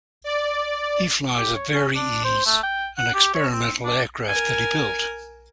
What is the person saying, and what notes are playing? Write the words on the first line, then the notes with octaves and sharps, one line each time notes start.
He flies a Varieze, an experimental aircraft that he built.
D5
G4
C#5
C#4
D4
C5
A3
G5
F#5
G4
C#5
C4
D4
A#4 G#5